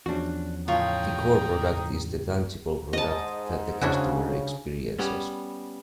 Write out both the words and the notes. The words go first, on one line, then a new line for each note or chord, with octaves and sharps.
The core product is the tangible product that the customer experiences.
E2 F3 C#4 D4 F#4
C#2 A2 F4 C#5 G5 A#5 D#6
G#2 D#5 A5
C#3 D4 E4 F#4
G3 B3 C#4